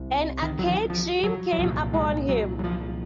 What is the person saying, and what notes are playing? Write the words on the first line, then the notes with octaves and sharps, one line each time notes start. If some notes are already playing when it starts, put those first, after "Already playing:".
An archaic shame came upon him.
Already playing: C2 C3
D#3
F#3
F3
F3
F#3
F#3
C2 A#2 F3
G#3
F#3
F#3
F3